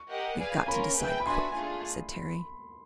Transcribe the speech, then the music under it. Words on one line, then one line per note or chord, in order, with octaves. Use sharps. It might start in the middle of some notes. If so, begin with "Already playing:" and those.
"We've got to decide quick," said Terry.
Already playing: C#6
G4 A#4 D#5 F#5
G#4 B4 D5 F5 G#5
A#3 C#4 F4 A#4 B5
G#4 B4 E5 G5
B5
D4 F#4 B4 E5 G#5 C6
A3 D4 F4 G#4